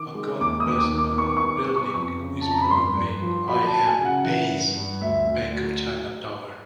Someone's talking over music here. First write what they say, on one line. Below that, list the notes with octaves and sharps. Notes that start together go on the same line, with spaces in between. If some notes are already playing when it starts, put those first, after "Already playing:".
Hong Kong's best-known building is probably I. M. Pei's Bank of China Tower.
Already playing: D#3 D6
G#3
D#2 D6
D#6
D#2
D6
D#3
D6
B3 C#6
C#6
G3
D6
B3
C#6
F2 C#6
C#3
F2 A5
A#5
B5
G2 C6
G2
F3
F#3 B5
A5
F#3
G#5
C#3
F#5
E3 F#5
G2
G2
D2 E5
D2
F#3